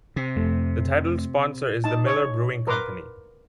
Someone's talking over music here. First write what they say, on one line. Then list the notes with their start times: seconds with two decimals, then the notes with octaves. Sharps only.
The title sponsor is the Miller Brewing Company.
0.16 C3
0.36 F2 A3
1.84 D#4 A5
2.06 C#5
2.67 A#4 B4 A#5 C6 D6